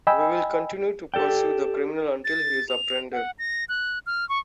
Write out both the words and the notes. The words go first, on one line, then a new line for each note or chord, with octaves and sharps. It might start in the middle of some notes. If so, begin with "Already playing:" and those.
We will continue to pursue the criminal until he is apprehended.
D#5 G5 G#5 B5 E6
G4 A4 D5 G5
A6
F7
F#5
A#6
F#6
F6
C#6